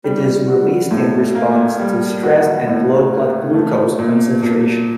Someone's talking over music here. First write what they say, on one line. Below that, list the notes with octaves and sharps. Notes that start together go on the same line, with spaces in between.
It is released in response to stress and low blood-glucose concentration.
G3
F#4
A2
A#3
G3
F#4
A2
A#3
A3
A#2
A#2